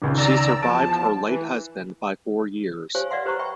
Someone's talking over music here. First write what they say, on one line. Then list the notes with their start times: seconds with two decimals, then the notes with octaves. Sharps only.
She survived her late husband by four years.
0.02 G#1 C#2 G#2
0.17 D5 A#5 E6
0.62 E2 F3 A5 A6 D7
1.26 E3
2.95 G4 C5 C#5 F5 G#5
3.11 B4 D5 D#5 F5 F#5 C6
3.25 G4 B4 C5 F#5 A#5 C#6
3.39 E5 G5 B5 C#6